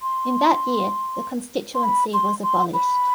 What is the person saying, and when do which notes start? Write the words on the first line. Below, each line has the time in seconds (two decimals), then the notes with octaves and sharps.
In that year the constituency was abolished.
0.02 C6
1.75 C6
1.83 B5
2.14 C6
2.43 C6
2.74 B5